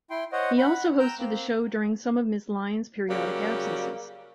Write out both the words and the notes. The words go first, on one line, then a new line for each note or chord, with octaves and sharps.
He also hosted the show during some of Ms. Lyons' periodic absences.
E4 G5 C6
C5 C#5 D#5 F#5
F#5 B5
G5 A#5 E6 G6
A#3 C4
C#3 F#3 G3 A#3